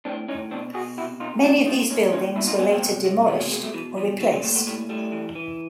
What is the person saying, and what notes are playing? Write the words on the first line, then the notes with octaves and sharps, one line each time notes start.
Many of these buildings were later demolished or replaced.
A2 C4 D4
A2 C#4 D#4
B2 C4 D4
B2 F#4 G#4
C3 E4 F#4
C3 D#4 F4
A#2 D#4 F4
A#2 D#4 F4
A#2 C#4 D#4
A#2 C#4 D#4
B2 D4 E4
D#4 F4
B2 B3 C#4
A#3 C4
C3
C3
B2 A3 B3
G#3 A#3
B2 G#3 A#3
G3 A3
B2 E3
B2 F3
A#2 E3 F#3
F#3 G#3
A#2 G3 A3
A3 B3
A2 G3 A3
A2 G3 A3
E3
E3